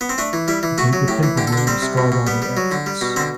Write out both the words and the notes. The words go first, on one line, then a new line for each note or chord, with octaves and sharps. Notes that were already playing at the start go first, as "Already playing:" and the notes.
A group of people wearing skydiving outfits.
B3
C4
A3 D4
E3
G3 E4
E3
A3 F#4
F#3
A2 G4
E3
D3 G4
A4
D3 D4
G3 C4
C3
B2
B2
G3 B3
G3
F#3
D3
G3
B2
D3 C4